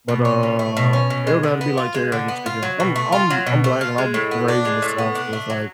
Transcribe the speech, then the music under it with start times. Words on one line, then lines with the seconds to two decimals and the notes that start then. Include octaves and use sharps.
but, uh, it would have to be like teriyaki chicken, I'm I'm I'm black and I'm raised in the South, so it's like,
0.08 B2
0.25 C#4
0.43 B2
0.59 A3
0.77 B2
0.93 C#4
1.10 B2
1.27 G#3
1.43 D3
1.61 B3
1.77 F4
1.95 G#3
2.12 D3
2.28 B3
2.46 F4
2.63 F#3
2.80 B2
2.96 A3
3.12 F4
3.30 F#3
3.47 B2
3.64 A3
3.81 F4
3.98 G#3
4.14 A2
4.31 B3
4.48 D4
4.65 G#3
4.82 A2
4.98 B3
5.15 D4
5.33 A3
5.50 F#3